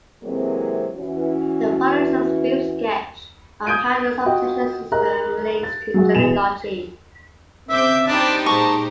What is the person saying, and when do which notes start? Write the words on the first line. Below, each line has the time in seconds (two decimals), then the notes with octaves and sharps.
The following is a brief sketch of how the subsection system relates to genealogy.
0.23 C3 E3 F#3 G#3 A#3 C4
0.95 E3 C#4 F#4
3.66 D#6 G6 G#6 D7 D#7
4.25 F4 F#4 D#5 G5
4.92 G#4 A#4 D#5 A#5 F#6
5.63 A6
5.94 F#3 G#3 F#4
6.14 B2 E3 B3 G#4 E7 F7
7.70 C#3 C4 C5 E5 D6 G6
8.08 D4 D#4 G4 C5 G5 B5 A6
8.46 A#2 G#3 A5 A#5 C#6